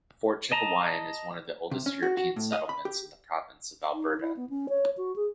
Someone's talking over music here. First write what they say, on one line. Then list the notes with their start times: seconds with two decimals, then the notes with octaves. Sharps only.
Fort Chipewyan is one of the oldest European settlements in the Province of Alberta.
0.52 D#5 A5 A#5
1.71 C3
1.86 C#4
2.02 F#4
2.17 F#4
2.36 A2
2.53 D#5
2.69 B5
2.85 G4
3.93 D#4
4.20 E4
4.37 B3
4.50 C#4
4.69 C#5
4.97 F#4
5.16 G#4